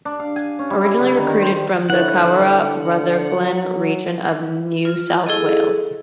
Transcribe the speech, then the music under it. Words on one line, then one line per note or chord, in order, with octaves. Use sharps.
Originally recruited from the Corowa-Rutherglen region of New South Wales.
D4
F5
G#5
C#4
G3
E4
D3
D#3
D#3
C5
D3 E4 B4 C#5 F#5
F#3
F4
E4 G#4 A4 D#5